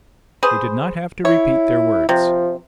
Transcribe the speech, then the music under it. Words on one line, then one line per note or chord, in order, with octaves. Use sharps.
They did not have to repeat their words.
G#4 B4 C5
E4 C#5
C3 F3